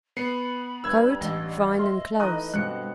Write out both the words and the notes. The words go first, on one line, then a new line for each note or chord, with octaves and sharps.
COAT--Fine and close.
B3 B5 C7 C#7
G2 B4 E6 G#6
A1 D#5
E5 C6 F6
E3 A3 D#4 A#5 D#6 F#6
G2 B2 D3 C4 F#6 C#7